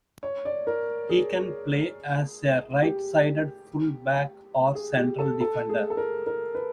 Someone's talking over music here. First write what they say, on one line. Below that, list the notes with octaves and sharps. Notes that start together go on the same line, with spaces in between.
He can play as a right-sided full back or central defender.
C#5
D5
A#4
G#4
G4
G#4
G4
A4
A4
G#4
A4
A#4
A#4
B4